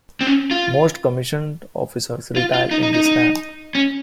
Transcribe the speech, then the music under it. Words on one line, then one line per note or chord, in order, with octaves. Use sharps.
Most commissioned officers retire in this rank.
C4
C#4
F4
F4
F4
D#4
D#4
D#4
D#4
C#4